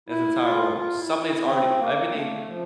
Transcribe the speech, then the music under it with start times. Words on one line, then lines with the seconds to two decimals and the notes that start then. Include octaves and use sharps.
in this entire world. Something's already everything
0.09 E4
0.42 F4
0.76 F4
0.99 E4
1.21 E4
1.44 C4
1.78 A#3
2.13 A3
2.46 F3